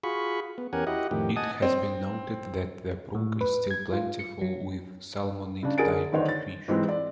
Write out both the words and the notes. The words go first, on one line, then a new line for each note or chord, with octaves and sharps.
It has been noted that the brook is still plentiful with salmonid type fish.
F4 F#4 G#4 B5 C#6
B3
E2 C#4 G4 A#4 F#5 G#5
E4 F#4 G4 D#5 F#5
F2 A2 D#3 G4
D#5 F#5 G#5 A5 D#6
C4
A2
B4
G#6
F4
C#7
F#3
C#3 D4
D3 G#4 A#4 G#5 A6 D7
D3 D#3 D4 D#4 C5 C#5
A6
G#2 E3 G#3 C4
D5